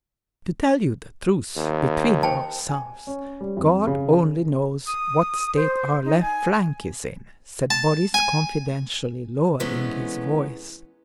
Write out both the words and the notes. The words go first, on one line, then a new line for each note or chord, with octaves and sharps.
"To tell you the truth, between ourselves, God only knows what state our left flank is in," said Boris confidentially lowering his voice.
D#2
C5 G5 A5
G#5
C#4
G3
F2
C#3
D#6
C5
D#4
G#5
A5
G#5
C3 E3 G#3 A3 B3 C#4